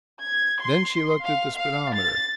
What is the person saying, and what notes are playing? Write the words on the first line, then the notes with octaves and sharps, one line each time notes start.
Then she looked at the speedometer.
G#6
C6
F5
F5
A6